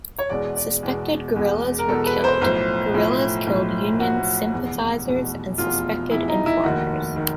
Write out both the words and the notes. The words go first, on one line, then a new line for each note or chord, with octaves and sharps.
Suspected guerrillas were killed; guerrillas killed Union sympathizers and suspected informers.
C#5
E2 B2 G#3 D5
D5
E2 B2 G#3
E2 B2 G#3
A#4
E2 B2 G#3 A4
B4
C5
B1 A2 F3 C5
B1 A2 F3
B1 A2 F3
B1 A2 F3 F#4
F1 E2 B2
F1 E2 B2
F1 E2 B2 F4
F1 E2 B2 E4
D#4
E4
F1 D#2 D#3 F#4
D#3